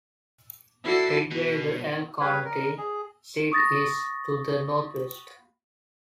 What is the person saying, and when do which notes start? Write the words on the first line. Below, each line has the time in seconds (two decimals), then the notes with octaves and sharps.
Ridgway, the Elk County seat, is to the northwest.
0.84 E4 F#4 A4 D5 C7
1.31 B2
2.20 G3 B4 C#5 F5
2.45 A#4
2.78 G#4
3.52 C#6 D#6 A6 A#6